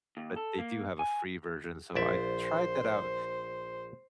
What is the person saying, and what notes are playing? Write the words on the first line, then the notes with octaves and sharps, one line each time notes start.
but they do have a free version, so I tried that out
D#2
A4
A#3
G#5
A#1 C5 D5 E5